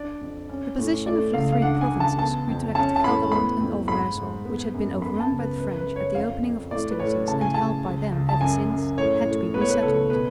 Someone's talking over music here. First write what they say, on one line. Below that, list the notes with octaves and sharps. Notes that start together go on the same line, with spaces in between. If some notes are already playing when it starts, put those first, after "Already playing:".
The position of the three provinces, Utrecht, Gelderland and Overyssel, which had been overrun by the French at the opening of hostilities and held by them ever since, had to be re-settled.
Already playing: D4 D5
F2
C#4
A2
A3 D5
C#2 F5
F5
D4 F#5
G#5
C#2
A5
B3 A5
F2
C#4 A5
A5
A2 B5
B3 B5
F2
G#2 B5
G#2
B3
F#2
B3 B5
A5
C#2
B4
F#2 B4
B4
F#2
C#5
F2 F5
F2
A2 D5
B4
A2 C#5
C#3 A5
G#5
C#3 A5
C#2
C#2
A5
F#2 G#5
F#2
A2 C#5
A2
B3 B4
C#5
B4
C#2 A4
B2 B4